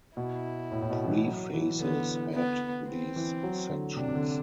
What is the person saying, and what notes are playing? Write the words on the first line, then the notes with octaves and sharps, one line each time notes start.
Prefaces head these sections.
B2 E4
A2
A2
B2
E3
F#3
E3
D3 B3
B3
C4
E3
F#3
D3
C3 D4
C3
D3